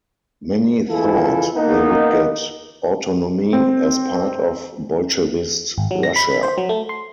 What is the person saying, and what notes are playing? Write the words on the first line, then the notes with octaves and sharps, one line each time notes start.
Many thought they would get autonomy as part of Bolshevist Russia.
F2 E3 E4 F4 G#4 A4
A#3 B3 D#4
C4
G#1
F#3
A#6
B5
C5
F#3
A3
C6